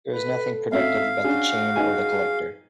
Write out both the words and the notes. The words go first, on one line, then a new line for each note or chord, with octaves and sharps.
There is nothing productive about the chain or the collector.
A4 B4
G#1 C#4 F#4 E5 F5
C#4 D4 F#4 G#4
D#4 G#4 G#5